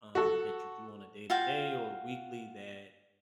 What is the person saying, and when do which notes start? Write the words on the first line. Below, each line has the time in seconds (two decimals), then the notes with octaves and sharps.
um, that you do on a day-to-day, or a weekly, that
0.15 F#4 A4
1.30 F4 F#4 F5 G5